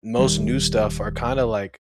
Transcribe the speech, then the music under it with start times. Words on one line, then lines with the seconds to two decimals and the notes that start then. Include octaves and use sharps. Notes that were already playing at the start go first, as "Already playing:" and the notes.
most new stuff are kinda, like
0.19 D#1 D#3 G3